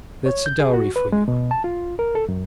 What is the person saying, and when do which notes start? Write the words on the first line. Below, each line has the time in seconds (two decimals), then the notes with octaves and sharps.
That's a dowry for you.
0.26 C#5
0.46 G6
0.60 G#4
0.74 F#4
0.96 B4
1.12 G#3
1.28 B2
1.51 A5
1.64 F4
1.99 A#4
2.15 A4
2.29 F#2